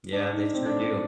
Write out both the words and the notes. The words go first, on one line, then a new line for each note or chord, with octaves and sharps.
Yeah, they sure do.
D4
D4
D#4
D4
C4
D4